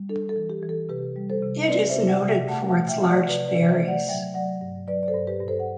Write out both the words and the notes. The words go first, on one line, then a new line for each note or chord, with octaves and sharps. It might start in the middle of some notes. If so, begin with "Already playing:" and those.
It is noted for its large berries.
Already playing: G3
D4 A4
A4
E3
G4
E3
A4
C3 G4 B4
G3
A4 C5
C3
C4 B4 D5
C5 E5
C3
D5 F#5
C3
E5 G5
A3 F#5 A5
F#5 A5
A3
E5 G5
A3
D5 F#5
C3 B4 D5
B4 D5
C3
C5 E5
A3
D5 F#5
F#3 E5 G5
F#3 D5 F#5
G2
F#3 B4 D5
D5
A4 C5
G2
G4 B4
G2
A4 C5
F#5